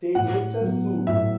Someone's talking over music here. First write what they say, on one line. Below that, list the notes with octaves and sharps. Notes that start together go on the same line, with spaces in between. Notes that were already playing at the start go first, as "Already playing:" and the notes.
They later sued.
A2 F#5
F#3 B3
A2 E5